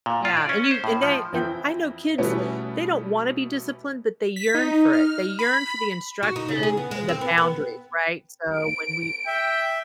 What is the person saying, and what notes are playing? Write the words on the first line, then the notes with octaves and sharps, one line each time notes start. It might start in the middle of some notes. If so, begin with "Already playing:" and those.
Yeah, and you and they and I know kids, they don't wanna be disciplined, but they yearn for it. They yearn for the instruction and the boundaries, right? So, when we
A#2
F4
D5
C#4
C5
A2
F3
F2 E3 E4 G5 G6
B2 E3 G3 A3 B3 C#4
B6
D#4
F6
B5
F#4
D#4
C#3
G#4
B3
G#3
C4
B3
B3
D7
E5 G5